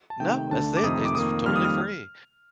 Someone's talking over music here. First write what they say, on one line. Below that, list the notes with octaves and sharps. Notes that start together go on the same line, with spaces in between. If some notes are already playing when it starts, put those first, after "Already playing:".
No, that's it, it's totally free,
A5
C3 D#3 A3 D#4 G5
D2 D3 A3 D4 A5
D6
F2 C3 D#3 A3 D#4 D#6
D6
F2 D#3 A#3 D#6
F2 D#3 G3 A#3 F6
D#6
F6